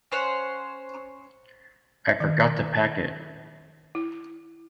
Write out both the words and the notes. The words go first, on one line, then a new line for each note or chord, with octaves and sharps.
I forgot to pack it.
C#4 C5 C#5 F#5
D#3
E4